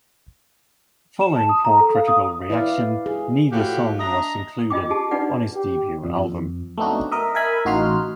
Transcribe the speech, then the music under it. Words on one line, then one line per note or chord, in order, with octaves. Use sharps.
Following poor critical reaction, neither song was included on his debut album.
E7
A5
D#6
A#5
A4
F5
D#6
E4 B4 D5 F5
G#4
A2 F3 F#4 G4 F5
D4 D#5 E5 A#5
F4 D#5 G5 D6
G4 G#4 A5
D4 D#4 F4 B4 D5 F#5
G4
F2
A3 B3 C4 D4 D#4 F#4
A#4 D#5 E5
A#4 E5 G#5 B5
A1 D#4 F#4 F5 C6 F6